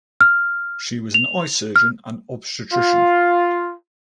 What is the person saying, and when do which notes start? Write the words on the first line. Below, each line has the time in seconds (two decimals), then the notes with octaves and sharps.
She was an eye surgeon and obstetrician.
0.21 F6
1.14 F7
1.76 F6
2.73 F4